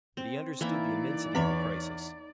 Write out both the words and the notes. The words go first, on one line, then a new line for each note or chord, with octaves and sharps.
But he understood the immensity of the crisis.
C4
E3 A#3 D#4 E4 D5
E2 C#5 B5